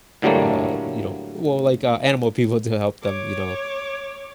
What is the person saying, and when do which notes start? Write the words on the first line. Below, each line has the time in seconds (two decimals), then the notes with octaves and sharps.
uh, you know well, like, uh, animal people to help them, you know,
0.22 A2 D3 F#3 G3 A3 A#3
3.02 C#5 D6